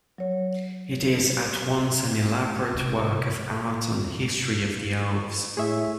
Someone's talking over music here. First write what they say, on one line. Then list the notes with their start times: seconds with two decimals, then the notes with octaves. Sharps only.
It is at once an elaborate work of art and history of the elves.
0.18 F#3 C#5
2.75 C3 G#3
5.57 A2 G#4 C#5 E5